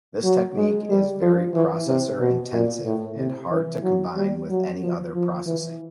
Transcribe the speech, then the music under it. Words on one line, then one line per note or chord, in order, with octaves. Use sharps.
This technique is very processor-intensive and hard to combine with any other processing.
F#3
G#3
G3
F3
E3
C3
B2
A#2
A2
C3
E3
F#3
G3
F#3
F3
F3
E3